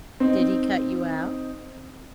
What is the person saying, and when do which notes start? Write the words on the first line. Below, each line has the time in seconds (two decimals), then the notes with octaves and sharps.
'Did he cut you out?'
0.20 C4 D#4